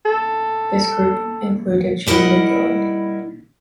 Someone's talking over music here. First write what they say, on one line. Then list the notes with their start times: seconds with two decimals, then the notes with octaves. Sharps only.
This group included Julia Gillard.
0.05 A4
2.06 G3 E4 A#4 D#5 F#5